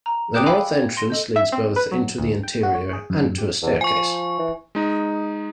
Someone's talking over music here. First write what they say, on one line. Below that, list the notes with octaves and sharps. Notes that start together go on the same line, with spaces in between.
The north entrance leads both into the interior and to a staircase.
A#5
G5 D6 D#6 F#6 G6 E7
F5 G5 G#5 B5 D6 E6
G#6
C6 A#6
A4 D#5 G6
E5
C4
B4
F#3
D2
G5
F#4
C#5
G#4
F#2
G4
E2
F3 G#5 C#6
E3
G#3 D#4